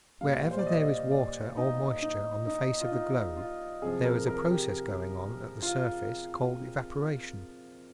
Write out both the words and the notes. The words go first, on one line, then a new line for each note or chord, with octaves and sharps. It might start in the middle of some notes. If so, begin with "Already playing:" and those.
Wherever there is water or moisture on the face of the globe there is a process going on at the surface called evaporation.
A#2 G3 F5
C5
D5
D#5
D5
D#4
D#4
D#4
F4
D#4
F4
C3 F3 G#4
A#4
A#4
G4
F4